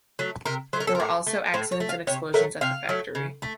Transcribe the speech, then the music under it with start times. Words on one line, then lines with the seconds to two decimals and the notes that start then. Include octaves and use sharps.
There were also accidents and explosions at the factory.
0.19 F#3 A3
0.45 C3 A#4
0.73 F#3 C5
0.76 A3 A#4
0.87 A4
0.95 A2 A#4
1.27 A3
1.54 A2 C5
1.72 C#5
1.80 A3
1.89 F5
2.07 C3 C#5
2.34 F#3 A3 A#4
2.61 C3 F5
2.89 F#3 A3
3.15 C#3
3.42 A3